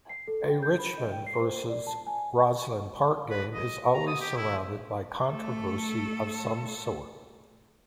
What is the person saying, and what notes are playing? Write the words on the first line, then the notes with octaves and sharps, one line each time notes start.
A Richmond versus Rosslyn Park game is always surrounded by controversy of some sort.
C7
A4
G5
G6
B5
D#5
G5
C7
C5
D5
A5
G#5
B4
D#5
A#5
D#6
G4
E4
A3 A4